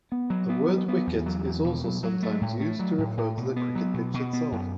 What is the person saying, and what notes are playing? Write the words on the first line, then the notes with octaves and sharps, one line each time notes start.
The word "wicket" is also sometimes used to refer to the cricket pitch itself.
B3
F#3
B3
F#3
B3
E2
F#3
E2
B2
F#3
F#3
A3
A2
A3
F#3
A2
A2
B2
B3
F#3
B2
B2
B3
F#2